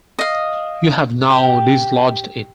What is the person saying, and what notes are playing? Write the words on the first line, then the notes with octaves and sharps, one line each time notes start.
You have now dislodged it.
D#5 F5
G4